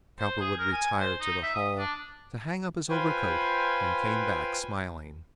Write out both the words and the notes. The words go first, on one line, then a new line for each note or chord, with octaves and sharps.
Cowperwood retired to the hall to hang up his overcoat and came back smiling.
C5
G#4
A#4
G#5
C5
D#4
E5
D#6
D4
F4 B4 C5 G5 G#5